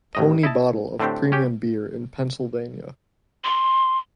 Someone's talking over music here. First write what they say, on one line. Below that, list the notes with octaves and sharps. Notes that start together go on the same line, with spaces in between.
Pony Bottle of Premium Beer in Pennsylvania.
A1 A2 D#5
E4 D#5 A5
A2 D3 A3 C4 D4 G4
C#4 G4
C6